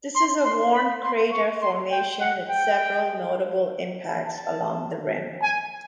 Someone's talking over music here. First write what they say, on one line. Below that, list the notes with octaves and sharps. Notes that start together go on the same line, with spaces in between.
This is a worn crater formation with several notable impacts along the rim.
C6
C6
B5
C6
C#6
C6
G5
F#5
G5
A5
G#5